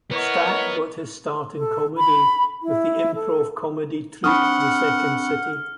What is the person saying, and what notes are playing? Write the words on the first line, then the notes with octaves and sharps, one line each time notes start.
Stack got his start in comedy with the improv comedy troupe The Second City.
B3 E4 A#4 C#5 D#5 F#5
A4
B5
E4
A4
C4 D4 F#5 A5 B5 C#6 D#6 F6